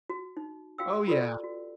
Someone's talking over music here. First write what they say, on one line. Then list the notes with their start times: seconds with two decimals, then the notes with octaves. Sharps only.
Oh, yeah,
0.10 F#4
0.37 D#4
0.78 F#4 F5 G5 E6
1.07 F4 G4 A4 B4 D5
1.43 F#4